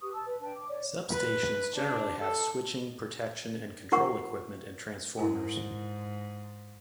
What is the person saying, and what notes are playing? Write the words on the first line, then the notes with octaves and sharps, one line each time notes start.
Substations generally have switching, protection and control equipment, and transformers.
G4 B4 C#6 D#6
A5 E6
B4
D4 B4 G5 A5
D6
C#5 D5
B4
D4
A4
F4 A#4 F#5 C#6
G#2 E4 A#4 G#5